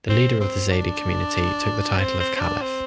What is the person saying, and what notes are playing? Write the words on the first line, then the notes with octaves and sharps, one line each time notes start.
The leader of the Zaidi community took the title of Caliph.
C4
C4
D4
C4
C4
C4
D4
C4